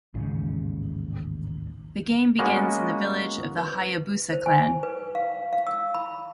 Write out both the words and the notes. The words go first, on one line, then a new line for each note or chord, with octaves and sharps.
The game begins in the village of the Hayabusa clan.
A1 D#2 G#2 C#3
G#3 A#3 B3 C#4 F#4 D#5
B4
C5
G#5
B4
F5
F5
E6
B5